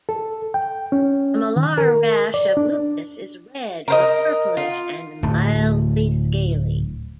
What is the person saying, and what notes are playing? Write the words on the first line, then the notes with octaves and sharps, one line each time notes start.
The malar rash of lupus is red or purplish and mildly scaly.
A4
G5
C#4
D#3
A#4
D5
D4
A#4 C5 D#5
F4
D1 A3